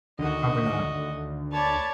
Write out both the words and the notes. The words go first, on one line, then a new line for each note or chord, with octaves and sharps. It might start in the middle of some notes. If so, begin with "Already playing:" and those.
Probably not.
D2 D3 D#3 F#4 D#5
C#5 D5 A5 B5